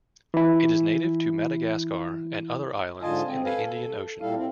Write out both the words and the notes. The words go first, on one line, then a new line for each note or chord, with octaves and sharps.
It is native to Madagascar and other islands in the Indian Ocean.
E3 E4
G#2 D3 F4 D#5 G#5 A5
C4
A4 B4 F5 G#5
A4
A#2 G3 E4 A4 F5
C4 E4